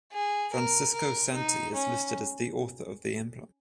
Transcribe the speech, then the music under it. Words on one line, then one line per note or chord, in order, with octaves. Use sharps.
Francisco Santi is listed as the author of the emblem.
G#4
A#4
A#4
D#4
C#4